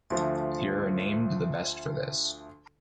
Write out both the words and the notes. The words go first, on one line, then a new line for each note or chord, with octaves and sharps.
Here are named the best for this.
D2 D3 F3 A3